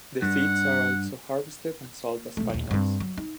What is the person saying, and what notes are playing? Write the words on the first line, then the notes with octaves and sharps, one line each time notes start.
The seeds are also harvested and sold as pine nuts.
G2 F#5
A#1 A3
A#1 D#2
G2 C4
F#3
D#4